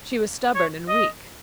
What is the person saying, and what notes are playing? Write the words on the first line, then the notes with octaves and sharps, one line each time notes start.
She was stubborn and weak.
C#5
D#5